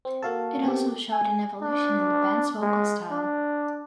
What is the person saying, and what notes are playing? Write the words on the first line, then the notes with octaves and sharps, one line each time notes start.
It also showed an evolution in the band's vocal style.
C4
A#3 F#4 A4 F5 A5
B3 C4 G4
G#5
D4
G#3
D4